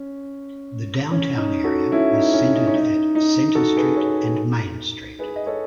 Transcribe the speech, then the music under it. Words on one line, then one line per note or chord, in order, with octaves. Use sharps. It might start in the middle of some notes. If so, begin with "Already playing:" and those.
The downtown area is centred at Centre Street and Main Street.
Already playing: C#4
C#4
D#4
F#4 A4
C#4 E4
D#4
C#4
D#4
C#4
D#4
D#4
F#4 A4
G#4 B4
A4 C#5
G#4 B4
D#5
A4 C#5